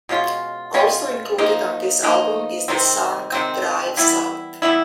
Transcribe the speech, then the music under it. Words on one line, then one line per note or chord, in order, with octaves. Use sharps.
Also included on this album is the song "Drive South".
B2 G#3 C#4 F4
B2 G#3 C#4 F4
F3 A#3 D#4
F3 A#3 D#4
C3 D#3 G#3 C4
C3 D#3 G#3 C4
E3 G3 B3 E4
E3 G3 B3 E4